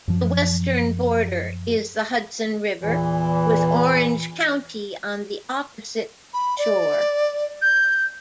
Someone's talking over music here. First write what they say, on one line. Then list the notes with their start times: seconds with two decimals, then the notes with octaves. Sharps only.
The western border is the Hudson River, with Orange County on the opposite shore.
0.08 F#2 F3
2.82 E2 A#2 E3
6.34 B5
6.58 D5
7.62 G6